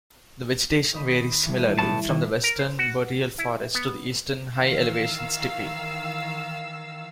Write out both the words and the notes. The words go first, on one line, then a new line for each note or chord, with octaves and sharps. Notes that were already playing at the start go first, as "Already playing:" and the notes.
The vegetation varies similarly, from the western boreal forest, to the eastern high-elevation steppe.
D#3 D#5 B5
E3 G3 A4
B1 A2 A5
D#3
A#4
C5
F#4
E4
B3
D#3 E3 F5 E6